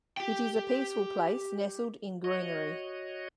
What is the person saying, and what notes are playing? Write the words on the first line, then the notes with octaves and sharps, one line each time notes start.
It is a peaceful place nestled in greenery.
G4 G5
F#4 C#5 D#5